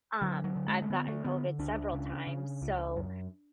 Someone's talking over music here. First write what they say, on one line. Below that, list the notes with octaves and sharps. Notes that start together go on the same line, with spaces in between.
Um, I've gotten COVID several times, so,
D3 F#3
F#3
D3
G#3
A3
D3 B3
A3
D3 B3
C#2 D4
C#3
C#3
C#2
F#2